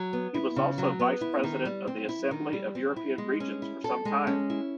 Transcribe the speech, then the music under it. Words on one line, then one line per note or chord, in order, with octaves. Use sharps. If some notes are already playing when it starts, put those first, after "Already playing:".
He was also Vice President of the Assembly of European Regions for some time.
Already playing: F#3
B3
E4
C#3
F#3
B3
E4
D#3
G3
C4
E4
D#3
G3
C4
E4
G#3
C#4
E4
A4
G#3
C#4
E4